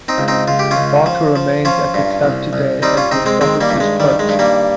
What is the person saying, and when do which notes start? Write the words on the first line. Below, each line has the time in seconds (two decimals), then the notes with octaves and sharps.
Barker remains at the club today as their stoppages coach.
0.08 C4 D#4
0.18 C#2
0.28 C4 D#4
0.48 C#2 F4
0.59 G4
0.71 C#4 F4
0.77 C#2
1.06 F3
1.36 F3
1.65 F3 C#4 F4
1.94 G2
2.24 C2
2.53 C2
2.82 G3 C4 D#4
2.97 C#4 F4
3.11 C3 C4 D#4
3.26 G#3 C4
3.41 D#3 G#3 C4
3.61 G3 A#3
3.71 G2
3.80 G#3
4.00 D#3 G3
4.19 G#3
4.29 G2
4.39 G3 A#3